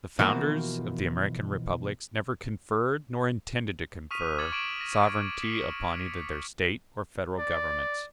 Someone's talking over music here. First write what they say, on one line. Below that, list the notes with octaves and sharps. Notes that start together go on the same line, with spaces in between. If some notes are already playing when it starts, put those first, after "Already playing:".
The founders of the American republics never conferred, nor intended to confer, sovereignty upon either their State or Federal Governments.
B2 E3 F3 A#3 F#4
C#6 D#6 F6 B6 D#7 F7
D6 F6 G#6 A6 C#7 F#7
C#6 D7 E7 F#7
A#6
B6 C#7 F7
D5